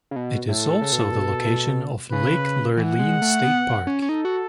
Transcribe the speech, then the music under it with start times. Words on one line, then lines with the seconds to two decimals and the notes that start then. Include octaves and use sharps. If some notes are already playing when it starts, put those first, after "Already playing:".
It is also the location of Lake Lurleen State Park.
0.11 C#3
0.16 B2
0.49 A2 A4
0.82 C#3
0.93 B2
1.02 A2
1.12 B2
2.12 C#3 B4
2.77 E3 F#5
2.99 G#3
3.22 A3
3.43 B3
3.87 C#4
4.02 C#4
4.08 D#4 A4
4.25 F#4